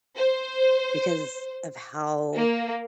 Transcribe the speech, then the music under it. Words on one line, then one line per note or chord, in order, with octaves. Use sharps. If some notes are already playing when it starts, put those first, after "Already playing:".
because of how
C5
A#3